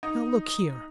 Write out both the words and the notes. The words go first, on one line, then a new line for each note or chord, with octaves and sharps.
Now, look here!
D#4